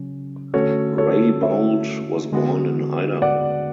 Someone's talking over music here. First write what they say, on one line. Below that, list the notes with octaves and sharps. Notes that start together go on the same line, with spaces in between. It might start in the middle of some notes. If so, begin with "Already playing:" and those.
Raybould was born in Idaho.
Already playing: C#3 F#3 C#4
D3 A3 C#4 F#4 A4 C#5
A4 C#5
C#5 E5
D3 G#3 B3 F#4
D5 F#5